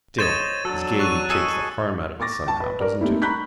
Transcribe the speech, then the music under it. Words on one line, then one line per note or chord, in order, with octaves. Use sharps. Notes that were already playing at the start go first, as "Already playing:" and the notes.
Still his gaiety takes the harm out of it somehow, doesn't it?
C5 C#5 D#5 A6 D#7 E7
F#3 D4 A4
C#6 F#6 D#7
G#4 A4 D#5 E6
C#6 D6 A6 A#6
G5 A5 C#6
B4
A#4 D5
G3 A3 A#3 C4 D#4 E4
A#5 B5 C#6 F#6 G6 B6